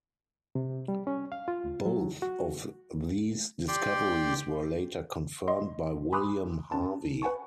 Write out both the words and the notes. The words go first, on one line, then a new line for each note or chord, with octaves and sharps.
Both of these discoveries were later confirmed by William Harvey.
C3
G3
C#4
F5
F4
F#3
F#4
G4 D5 G5 C6
D#5 C6
G#5 B5 C6 D6 D#6 F#6
C#4 A5
B4 F#5 G#5 A5 C#6